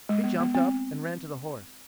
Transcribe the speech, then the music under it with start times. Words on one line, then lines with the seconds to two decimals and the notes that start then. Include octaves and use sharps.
She jumped up and ran to the horse.
0.09 G#3
0.24 B3
0.40 B3
0.55 C4